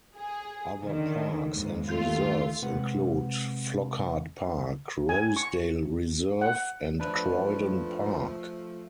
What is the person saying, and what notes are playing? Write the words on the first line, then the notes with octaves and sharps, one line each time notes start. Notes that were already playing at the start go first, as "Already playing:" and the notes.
Other parks and reserves include Flockhart Park, Rosedale Reserve and Croydon Park.
G#4
D3 D#3
D#2 G#2
D#2 A3 F4
C3 G#3 B4 F#5
G#5
C#6
F#5
F3 A3 D4 B4